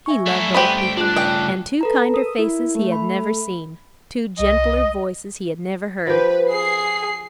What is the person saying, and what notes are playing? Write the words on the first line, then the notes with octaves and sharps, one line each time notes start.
He loved old people, and two kinder faces he had never seen--two gentler voices he had never heard.
E5 G#5 C#6
G2 F#3 A3 E4
B3 G4 C5 B5
G5 B6
D4 F4 F#6
C#3 D4 G5
A4 B4 A#5
A#4 D#6
E4
A3
B5
C2 D#5
F3 G4 B4
G#4 C7